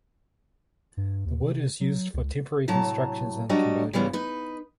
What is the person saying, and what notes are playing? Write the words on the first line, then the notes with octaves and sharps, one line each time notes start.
The wood is used for temporary constructions in Cambodia.
G2
D#2
C3
F#3
C#2
A2 C3 F#3 A5 A#5
F#3 G3 D4 F#4 D#5 A#5
C#3 E3 F3 G3 B3 C#4
D#4 B4